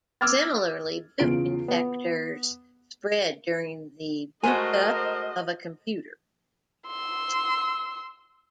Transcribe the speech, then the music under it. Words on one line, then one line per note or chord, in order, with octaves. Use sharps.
Similarly, Boot infectors spread during the boot up of a computer.
D6 E6 F6 G#6 A6
E2 C#3 F4 D7
B3
G#3 A3 F#4 A#4 C5 D#5 G#5
C6 E6